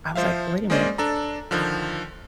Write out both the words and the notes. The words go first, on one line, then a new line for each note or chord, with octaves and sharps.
I was like, "Wait a minute."
F3 C5 E5 F5
G#3 A#3 C#4 C5 D5 D#5
D4 A4 A#5
D3 D#3 F3